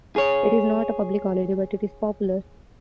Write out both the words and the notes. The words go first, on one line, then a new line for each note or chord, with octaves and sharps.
It is not a public holiday, but it is popular.
G#4 C#5